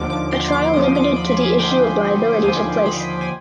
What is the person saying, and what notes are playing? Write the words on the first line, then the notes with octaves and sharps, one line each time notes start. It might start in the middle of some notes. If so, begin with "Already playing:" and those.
A trial limited to the issue of liability took place.
Already playing: D#2 D3 F3 D6
D6
C6
D6
D#2 D3 F3 D#6
D6
B5
B5
G#5
D#2 D3 F3 G5
D#2 D3 F3 G#5
B5
G#5